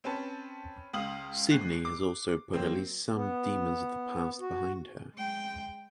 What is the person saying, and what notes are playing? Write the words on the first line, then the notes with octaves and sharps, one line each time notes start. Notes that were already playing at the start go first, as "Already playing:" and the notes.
Sydney has also put at least some demons of the past behind her.
C4 C#4 B4 A5
C#2 F5 D#6 F#7
D2 F#6 C7
D6
F#3 A#3 C4
B3
F#4
G#3 G5